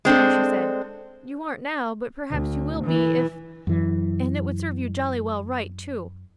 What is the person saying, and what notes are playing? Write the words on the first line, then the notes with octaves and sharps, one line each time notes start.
Now she said-- 'You aren't now, but perhaps you will be, if--And it would serve you jolly well right, too.'
G#3 C4 D4 A4
D2
E3
F#2 E3